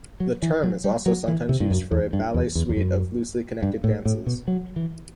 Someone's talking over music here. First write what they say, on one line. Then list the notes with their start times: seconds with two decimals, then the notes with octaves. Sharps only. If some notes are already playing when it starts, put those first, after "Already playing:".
The term is also sometimes used for a ballet suite of loosely connected dances.
0.20 F#3
0.42 E3
0.63 F#3
0.84 G3
1.06 F#3
1.28 E3
1.49 C3
1.60 G2
1.71 F#2
1.91 E2
2.13 G2
2.34 E2
2.55 E2
2.69 E2
2.77 F#2
3.63 G2
3.84 A2
4.05 A2
4.26 B2
4.48 F#3
4.76 E3